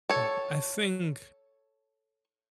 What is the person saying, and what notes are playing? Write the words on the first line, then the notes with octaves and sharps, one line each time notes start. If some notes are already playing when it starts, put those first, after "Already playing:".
Hmm, I think
A4 C#5